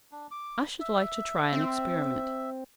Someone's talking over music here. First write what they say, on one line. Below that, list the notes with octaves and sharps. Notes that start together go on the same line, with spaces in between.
I should like to try an experiment.
D4
D6
E5
C4